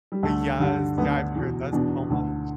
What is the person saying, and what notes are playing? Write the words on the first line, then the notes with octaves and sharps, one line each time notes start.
Eh, yes, yeah, I've heard that so much.
G3
D2 D3 A3
G2 D3 G3
D2 D3 B3
D4
E2 B2
E2 B2 D4
D2 D3